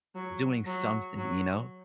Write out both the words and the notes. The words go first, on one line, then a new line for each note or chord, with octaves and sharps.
doing something, you know,
F#3
F#3
F#3